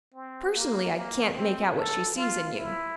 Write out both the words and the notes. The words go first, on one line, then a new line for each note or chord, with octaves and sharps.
Personally, I can't make out what she sees in you.
C4
A#3
A#3
C4
A4
F4
E4